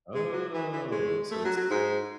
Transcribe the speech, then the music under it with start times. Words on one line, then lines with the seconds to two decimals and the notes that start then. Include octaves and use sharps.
Oh, so it's
0.14 G#3
0.33 F#3
0.53 E3
0.72 E3
0.92 G#3
1.31 A3
1.45 F#3
1.57 F#3
1.70 G#2